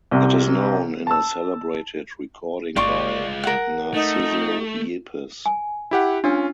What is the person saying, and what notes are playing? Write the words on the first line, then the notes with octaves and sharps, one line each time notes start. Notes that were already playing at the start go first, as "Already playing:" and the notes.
It is known in a celebrated recording by Narciso Yepes.
C2 C3
A5 E6
G1 G#3 F4 D5 C6 C#6
A#4 F#5
A3 D#4
G#5
E4 G4 F#5
C#4 D4 F4 E6